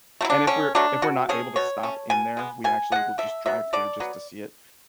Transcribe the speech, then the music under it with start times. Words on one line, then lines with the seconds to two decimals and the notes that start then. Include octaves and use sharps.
and if we're if we're not able to stop in there, we actually will just drive through just to see it.
0.21 F#3 A3 E4
0.30 D4
0.47 D3 C#4
0.75 F#3 A3 D4
1.02 B2 F#4
1.29 A3 C#4 G#4
1.56 B2 C#5
1.83 A3 C#4
2.10 B2 G#5
2.37 G#3 B3
2.64 B2 G#5
2.92 G#3 B3 F#5
3.18 D3 E5
3.46 F#3 B3 E5
3.73 D3 D5
4.00 F#3 B3